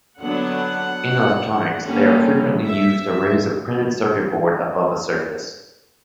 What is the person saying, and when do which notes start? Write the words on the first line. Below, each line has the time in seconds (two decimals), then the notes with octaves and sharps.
In electronics they are frequently used to raise a printed-circuit board above a surface.
0.19 D3 F#3 B3 D4 F#5
1.84 D3 G3 A#3 C#4
2.65 E5